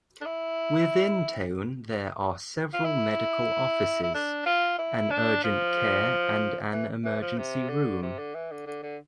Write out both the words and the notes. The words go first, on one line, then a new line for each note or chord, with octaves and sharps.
Within town there are several medical offices, an urgent care and an emergency room.
D4
E4
F4
E4
E4
D4
F4
E4
D4
F3
E3
E3
F3
C3
D3
C3
D3
E3
D3
D3
D3